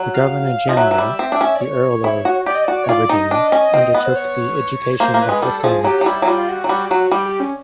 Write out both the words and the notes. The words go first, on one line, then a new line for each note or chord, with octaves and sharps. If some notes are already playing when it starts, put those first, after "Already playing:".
The Governor-General, the Earl of Aberdeen undertook the education of the sons.
Already playing: F#3
F5
F3 D#5
F#3 E5
F#3
G3
C4
D4
C#4
D5
C#5
E4
F#4
G4 D5
D#5
F#4 D5
C#5
F4 D5
D#4 D#5
D4
C#4
C4
B3
C5
C#5
A#3 C5
A#3
B4
G#3
G3 A4
A4
F3 G#4
F#3 G4
F#3
G3 E4
F#3
G3 F4
F4
F#4
F#3
G3 F#4
G4
F#3 F#4
G3 G4
G4
C#4